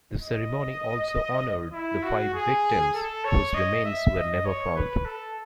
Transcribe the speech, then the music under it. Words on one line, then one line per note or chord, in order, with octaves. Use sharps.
The ceremony also honored the five victims whose remains were never found.
D#5
E4
F#4
G#4
A4
C#5
D#5
E5
D#5
C#5
B4
A4